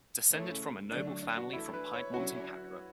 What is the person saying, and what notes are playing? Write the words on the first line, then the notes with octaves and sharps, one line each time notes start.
Descended from a noble family from Piedmont and Capua.
C#3 E3 A3 C#4
D3 F#3 A3 D4
D4
D4
F#4
E3 A3 D4 E4
B4
C#5
D3 F#3 C#4 E4 F#4